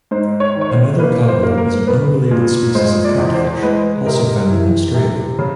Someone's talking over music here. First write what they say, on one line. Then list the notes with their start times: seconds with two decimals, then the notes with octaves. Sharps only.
Another cobbler is an unrelated species of catfish, also found in Australia.
0.11 G#2 C5
0.40 C#5
0.55 D#3
0.61 C#5
0.70 C5
0.99 A#3 B4
1.28 C5
1.43 A#3
1.58 A#4
1.87 B3 B4
2.31 A#2
2.75 G#3 C5
3.05 D5
3.18 E2
3.34 C5
3.63 G#3 B4
4.06 C3 A#4
4.50 E3
4.94 C3
5.39 C#3